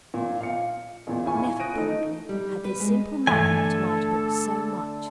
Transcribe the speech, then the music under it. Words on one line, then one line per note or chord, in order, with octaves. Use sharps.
Never, probably, had this simple man admired Hook so much.
A#2
F5 C#7
E2 A#2
E4 F4 G#5 C#6
D#6 F#6 A#6 D7 D#7
A3 D#4
G3
B4
G#3
G2 D3 E3 A3 A4 G#5